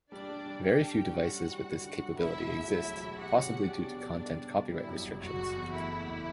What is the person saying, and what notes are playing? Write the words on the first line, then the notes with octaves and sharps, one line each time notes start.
Very few devices with this capability exist, possibly due to content copyright restrictions.
G3 D4 D5
G3
G3
D4 G4 G5
A4
G3
C#4 F#4 F#5
G3
E4
G3
D3
G3
E1 E4 E5
E1
D2
F#3 E4 E5
E1
E1
F#4 G4 F#5
C#4
G4
D4 G4 D5
B2
G4
G3
C#3
G3
G3 E4
F#2
F#1
F#1 F#4
F#1
E2
A3 E4
A3
F#1